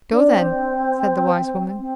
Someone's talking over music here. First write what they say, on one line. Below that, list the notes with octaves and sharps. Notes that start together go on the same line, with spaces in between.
"Go, then," said the wise woman.
D4
C4
C4